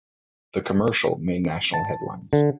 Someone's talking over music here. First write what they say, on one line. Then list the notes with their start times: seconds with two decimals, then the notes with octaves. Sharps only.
The commercial made national headlines.
1.74 A5
2.33 D3